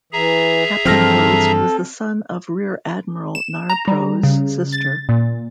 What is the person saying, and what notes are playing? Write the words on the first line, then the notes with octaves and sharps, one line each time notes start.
Captain Loades was the son of Rear Admiral Narbrough's sister.
E3 G#4 E5 A#5
G2 E3 F3 C4 A4 F6 A#6
E7
A#5
G3
C#3
A6
A#2